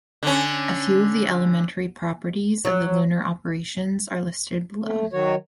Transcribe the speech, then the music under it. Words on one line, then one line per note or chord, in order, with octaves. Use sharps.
A few of the elementary properties of the lunar operations are listed below.
D3 C#4
F#3
A3
D#3 F#3 F#4 C#5